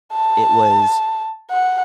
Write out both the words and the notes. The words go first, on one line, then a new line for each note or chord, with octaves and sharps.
it was
A5
F#5